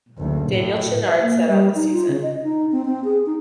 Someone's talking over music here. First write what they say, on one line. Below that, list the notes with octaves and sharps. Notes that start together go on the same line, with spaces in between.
Daniel Chenard sat out the season.
F#1 D2
A2
E5
A#3
G3
D#4
F4
C#3
D#5
D#4
C4
C4
G#4
D#4